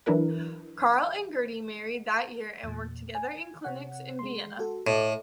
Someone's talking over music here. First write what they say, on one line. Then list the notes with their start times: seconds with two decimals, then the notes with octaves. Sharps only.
Carl and Gerty married that year and worked together in clinics in Vienna.
0.06 E3 F#3 D4 E4 A#4 B4
2.63 E2 A#2
3.15 G#5
3.65 C3 C#5 F#5
4.19 G#3 C6
4.59 F#4 A4
4.87 A2 A4 D#5 D6